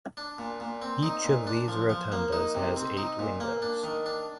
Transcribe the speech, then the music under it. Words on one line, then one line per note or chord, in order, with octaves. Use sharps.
Each of these rotundas has eight windows.
D4
A#2
A#2
C4
D#4
A#2
D4
F3
F3
A#3
D#4
C3
C4
D#4
A#2
A#3
D4
D#3
D4